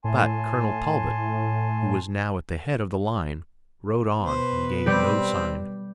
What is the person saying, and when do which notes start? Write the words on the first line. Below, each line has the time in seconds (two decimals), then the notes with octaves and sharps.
But Colonel Talbot, who was now at the head of the line, rode on and gave no sign.
0.04 A2 G#5 A5 C6
4.23 B2 B4 C5
4.86 G3 C4 G4